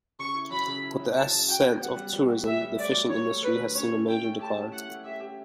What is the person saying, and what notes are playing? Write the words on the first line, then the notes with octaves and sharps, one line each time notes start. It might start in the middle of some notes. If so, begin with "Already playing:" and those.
With the ascent of tourism, the fishing industry has seen a major decline.
C#3 C#6
E4
F#3 B5
C#3
E4
F#3
E4 A5
F#3
F#4 G5
B3
G3 F#5
G3
G3
F#4
G3 E5
G3
A3 D5
F#3
F#3 C#5
A3
A3 B4
D3
C#4 C#5
C#4
E4 G5
A3
G4 A5
A3
E4 F#5
A3
G4 E5
G4